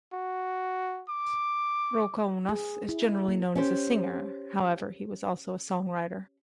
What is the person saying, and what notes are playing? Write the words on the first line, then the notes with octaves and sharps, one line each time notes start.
Roukounas is generally known as a singer, however he was also a songwriter.
F#4
D6
G#4
E4
A#3
C#4 G4 C5